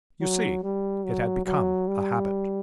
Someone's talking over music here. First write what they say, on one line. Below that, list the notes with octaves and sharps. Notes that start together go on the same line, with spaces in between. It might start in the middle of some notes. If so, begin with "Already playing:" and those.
You see, it had become a habit.
F#3
G3
F#3
F#3
G3